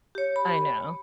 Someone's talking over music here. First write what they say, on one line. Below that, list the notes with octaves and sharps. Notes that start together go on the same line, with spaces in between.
I know.
G4 C#5
B5